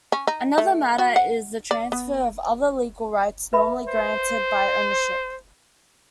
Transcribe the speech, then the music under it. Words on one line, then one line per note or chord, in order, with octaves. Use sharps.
Another matter is the transfer of other legal rights normally granted by ownership.
C#4
D#4
A3
F#4
F#5
D5
B3
B4 E5 B5
C5